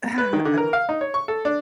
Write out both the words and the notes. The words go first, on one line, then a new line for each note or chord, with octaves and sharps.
Ah, I l
B4
D#3
D3
A#4
F5
D#4
C#5
C#6
A4
D4